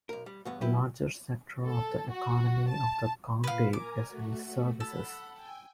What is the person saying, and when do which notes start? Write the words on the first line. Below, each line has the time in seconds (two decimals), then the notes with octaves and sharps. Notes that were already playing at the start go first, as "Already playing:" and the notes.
The largest sector of the economy of the county is in services.
0.09 B1 A#4
0.26 G3
0.45 E2 G2 B3
0.61 F#3 B3 E4 G4 B4
1.66 A4
2.10 F#4
2.67 A5
3.44 A#2 F4 B4 F5
3.73 A#4 G#5 A#5 D6
4.07 A3 F#4
4.80 A4 F#5 B5
5.34 G5 G#5